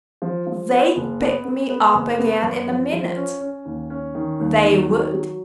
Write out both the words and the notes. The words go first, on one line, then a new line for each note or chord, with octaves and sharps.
'They'd pick me up again in a minute, THEY would!
F3
F3
B3
F#1
B3
B3
B3
F#1
B3
F#2
F3
F3
C#4
C#4
D#2
C#4
D#3
D#2
D#3
F#3
F#3